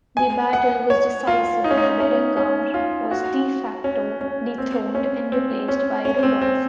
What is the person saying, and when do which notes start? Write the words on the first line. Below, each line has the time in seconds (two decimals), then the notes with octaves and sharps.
The battle was decisive and Berengar was "de facto" dethroned and replaced by Rudolf.
0.17 G#5
0.53 F#5
0.90 C#5
1.27 F4
1.64 D#4
1.71 C#4
1.77 D#4
2.00 C#4
2.37 C#4
2.74 F4
3.11 F#4
3.84 C#4
4.21 C#4
4.58 C4
4.95 C#4
5.32 C4
5.68 C#4
6.05 C#4
6.23 C4
6.41 C4